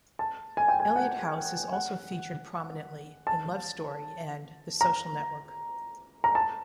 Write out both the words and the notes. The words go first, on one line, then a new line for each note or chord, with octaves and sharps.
Eliot House is also featured prominently in "Love Story" and "The Social Network".
A5
G#5
G5
G#5
F#5
F#5
A5
A#5
A#5
A5